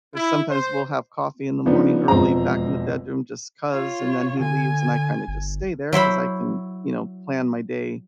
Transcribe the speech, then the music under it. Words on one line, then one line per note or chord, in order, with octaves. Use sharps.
'cause sometimes we'll have coffee in the morning early back in the bedroom just 'cause, and then he leaves and I kinda just stay there 'cause I can, you know, plan my day
E4
C5
C#3 F3 B3 C4 D4 D#4
E1 F2 G#3 C4 A#5
F4 C#5
D3 G#5
G1
F#3 E4 C5 B5